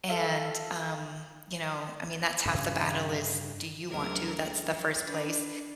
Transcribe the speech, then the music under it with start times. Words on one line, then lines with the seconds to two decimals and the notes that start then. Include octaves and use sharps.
And, um, you know, I mean, that's half the battle is, do you want to? That's the first place.
0.09 F4 A4 E5 F5
2.46 G2 C#3
3.89 D2 C#3 F#3 A3 A#4 G#6
4.64 F3
5.04 D4 B4